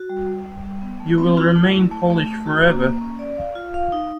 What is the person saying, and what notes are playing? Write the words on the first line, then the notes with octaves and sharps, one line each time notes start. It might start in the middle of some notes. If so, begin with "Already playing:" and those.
You will remain Polish forever.
Already playing: F#4
G3
G3
G3
G3
B3
A3
C4
F4
A3
E4
A3
A3
A3
F#4
A#3
A#3
C#4
D5
F5
F4
F5
D#4